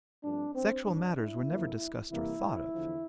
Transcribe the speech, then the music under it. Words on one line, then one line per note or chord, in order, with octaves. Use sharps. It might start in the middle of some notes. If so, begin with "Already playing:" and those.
Sexual matters were never discussed or thought of.
G2 F3 A3 C4 D4
C4
G2 D3 G3 D4
E4
F2 D3 F3 A#3
C3 E3 G3 A#3 E4
E2 D3 F3